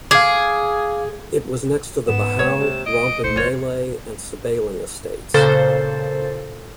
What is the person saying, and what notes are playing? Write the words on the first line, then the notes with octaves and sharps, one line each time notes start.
It was next to the Bahau, Rompin Malay and Sebaling estates.
G#4 F5 D6
G#2 B3 E7
G#3 A#3 C#5
C3
D#5 D7
A#2 A3 C5 C#7
F#1 F4 C#5
A#2 C#3 A4 C5 A6